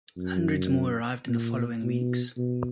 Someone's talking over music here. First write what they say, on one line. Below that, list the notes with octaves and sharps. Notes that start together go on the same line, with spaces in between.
Hundreds more arrived in the following weeks.
F#2
A#2
B2
B2